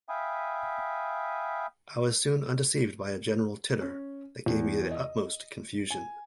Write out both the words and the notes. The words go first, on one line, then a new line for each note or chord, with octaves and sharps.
I was soon undeceived by a general titter, that gave me the utmost confusion.
E5 F5 G5 G#5 B5 D#6
C#4
E2
D#5
G#5